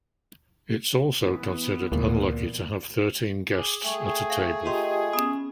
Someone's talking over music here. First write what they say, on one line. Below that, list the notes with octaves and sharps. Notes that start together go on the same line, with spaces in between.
It's also considered unlucky to have thirteen guests at a table.
E3 B3
D2 A#2
G#4 D6
A3 G#4 G5 C#6
F5
F4 G4 D#5 G5 C6
B3 C#4 D#6